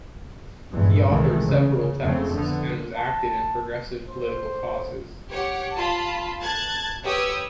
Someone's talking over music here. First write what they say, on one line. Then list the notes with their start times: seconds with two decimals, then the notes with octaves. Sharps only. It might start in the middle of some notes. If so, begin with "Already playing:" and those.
He authored several texts and was active in progressive political causes.
0.71 A#1 E2 G2 E3 G#3
1.06 C2 D#3 E3 G#3 A3
1.47 C#3
2.01 F2 C#3 A3 C4
2.33 D3 B3
2.97 A5
4.09 C5
5.29 G4 C#5 F#5
5.76 F4 A5 B5
6.43 A5 F#6 G#6 A6
7.05 G4 B4 C#5 G5 D#6 E6